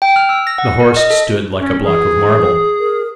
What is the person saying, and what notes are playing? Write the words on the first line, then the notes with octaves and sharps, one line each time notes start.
The horse stood like a block of marble.
G5
F6
E6
A#6
F#5
A#4
D#5
A4
C#4
E3 G#4
A#4